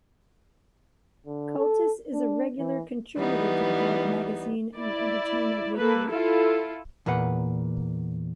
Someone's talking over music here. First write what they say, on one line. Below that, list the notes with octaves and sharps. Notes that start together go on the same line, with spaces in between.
Cultice is a regular contributor to Vogue magazine and Entertainment Weekly.
D3
A4
D4
E3
E3 G3 B3 D#4
E4 D5
A#3 A4 B4
E4 F4 A4
E2 A#2 A#3 B4 F#5